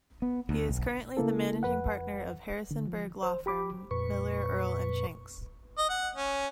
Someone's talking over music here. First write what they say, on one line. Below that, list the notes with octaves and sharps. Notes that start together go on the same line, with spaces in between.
He is currently the managing partner of Harrisonburg law firm Miller, Earle and Shanks.
B3
D2
B1
C#3 A#3 E4 A4
F2 B4 F#5
D3
F3
C5
G4 B5 D6
F2 A#2 B4 C#6
D#5
F#5
C#4